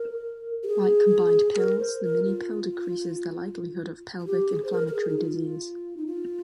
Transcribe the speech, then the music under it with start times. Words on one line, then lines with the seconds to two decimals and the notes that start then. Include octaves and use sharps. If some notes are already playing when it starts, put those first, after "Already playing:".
Like combined pills, the minipill decreases the likelihood of pelvic inflammatory disease.
Already playing: A#4
0.63 G4
0.67 G#4
1.57 A#4
1.79 C5
2.02 A#4
2.24 F4
4.19 F4
4.26 G4
4.49 G#4
4.64 C5
4.72 A#4
4.87 A#4
4.94 G#4
5.09 D#4
5.17 F4
5.97 D#4
6.06 F4